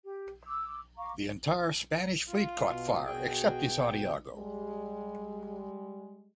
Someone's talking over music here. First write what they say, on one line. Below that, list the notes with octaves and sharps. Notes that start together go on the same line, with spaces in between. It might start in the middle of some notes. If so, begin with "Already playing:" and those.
The entire Spanish fleet caught fire, except the "Santiago".
G4
D6 E6
F5 A#5 C#6 D6
F4
B2
B2 F#4 G#4 G5
G3 G#3